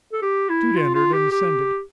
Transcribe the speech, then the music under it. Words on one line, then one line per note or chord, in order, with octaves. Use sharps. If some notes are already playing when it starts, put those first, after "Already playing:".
Jude entered and ascended.
A4
G4
E4
F4
F4
G4
G4